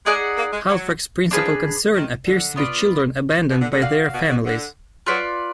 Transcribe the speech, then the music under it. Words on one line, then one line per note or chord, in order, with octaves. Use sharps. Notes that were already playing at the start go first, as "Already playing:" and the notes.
Halfrek's principal concern appears to be children abandoned by their families.
G#3 D#4 G#4 D5 F#5
A#3
G#3
F#3
F3 D4 G#4 B4
D#3
D3
B3 F4 B4 D5
B2
D3
D3
F#4 D5 F5
B2
B2
D3
F#3 F4 B4 D5